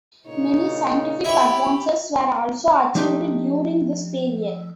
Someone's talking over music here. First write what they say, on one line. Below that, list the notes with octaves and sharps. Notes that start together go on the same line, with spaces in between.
Many scientific advances were also achieved during this period.
A#2 C#3 D#4 C#5
E4 G4 C#5 B5
F3 A3 D4 D#4 G4 C6